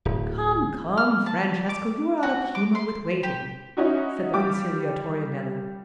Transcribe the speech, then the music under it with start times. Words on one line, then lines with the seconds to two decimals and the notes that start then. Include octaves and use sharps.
"Come, come, Francesco, you are out of humour with waiting," said the conciliatory Nello.
0.05 D1
0.97 F6
1.26 A5
1.69 D6
2.23 F#4
2.55 D6
2.75 C6
3.23 G4
3.77 C#4 D#4 E4 F#4
4.33 G3 F4 G4 D6